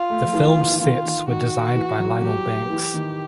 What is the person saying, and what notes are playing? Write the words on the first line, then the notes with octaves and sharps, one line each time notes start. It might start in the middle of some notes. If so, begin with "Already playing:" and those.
The films sets were designed by Lionel Banks.
Already playing: F4
A3
F3
E3
D#3
E3
D#3 F4
D#3
D#3 F#4
E3
F#3
F#3 G4
E3
D#3